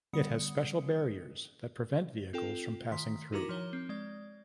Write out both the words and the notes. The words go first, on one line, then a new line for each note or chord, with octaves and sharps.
It has special barriers that prevent vehicles from passing through.
D3 G3 B3 D#6 C#7
C4 F4 A4 G5
D#3 C6 B6
D#4 E4 F#4 A#4 A#5 D6
F3 C#5 G7
C4
G#3 D5